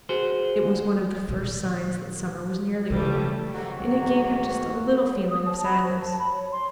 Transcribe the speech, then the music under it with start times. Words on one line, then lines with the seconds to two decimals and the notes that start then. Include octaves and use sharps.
It was one of the first signs that summer was nearly over, and it gave him just a little feeling of sadness.
0.09 F#4 G#4 C5
1.28 A#2 D#3
2.90 C#3 G3 A3
3.53 G#2 D#3 F#3 A#3 F#4
5.13 C#5
5.30 D#6
5.46 A5
5.64 B5
5.82 C5
6.01 A5
6.19 B5
6.32 C#5
6.52 C6